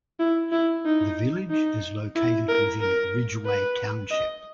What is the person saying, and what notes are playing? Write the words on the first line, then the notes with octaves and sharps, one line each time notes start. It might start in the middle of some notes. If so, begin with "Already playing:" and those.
The village is located within Ridgeway Township.
E4
E4
D#4
D#4
E4
A#4
A#4
B4
D#5